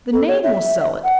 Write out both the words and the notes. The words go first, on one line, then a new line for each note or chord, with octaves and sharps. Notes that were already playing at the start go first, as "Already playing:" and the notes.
The name will sell it!
A4
C#5
E5
F#5